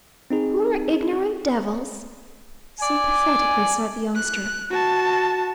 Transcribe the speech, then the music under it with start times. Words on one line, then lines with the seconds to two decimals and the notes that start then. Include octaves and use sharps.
"Poor, ignorant devils!" sympathetically sighed the youngster.
0.31 C4 D#4 G#4
2.81 D5 G#5
4.15 F#6
4.71 F#4 A5